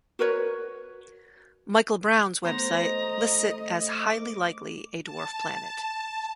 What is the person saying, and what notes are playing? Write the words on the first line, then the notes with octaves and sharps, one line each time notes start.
Michael Brown's website lists it as highly likely a dwarf planet.
F#4 A#4 B4 C#5
A3 B3 C5 A#5
D#5
D6
A5